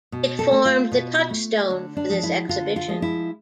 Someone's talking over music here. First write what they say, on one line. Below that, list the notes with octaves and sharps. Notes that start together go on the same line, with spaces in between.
It formed the touchstone for this exhibition.
B2
A4
A3
F4
B2
A3
D3 D4
D4
F3 G#3
E4
D3 F4
F4
F3 G#3
E4